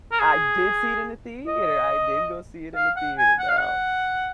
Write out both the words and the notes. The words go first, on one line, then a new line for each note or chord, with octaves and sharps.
I did see it in the theater. I did go see it in the theater, now.
A#4
G#4
D#5
F5
F#5
G#5
F#5
F5
F#5